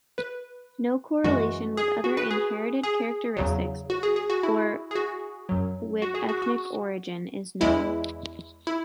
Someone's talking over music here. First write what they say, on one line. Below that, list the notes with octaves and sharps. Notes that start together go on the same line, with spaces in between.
No correlation with other inherited characteristics, or with ethnic origin, is known.
B4
F#2 E3 G#3 F#4
G#4
F#4
B4
G#4
G#4
E2 C#3 F#3
F#4
G#4
G#4
F#4
E4
G#4
F#4
F#2 F#3
F#4
G#4
F#4
F#4
E2 E3 G#3 E4
E4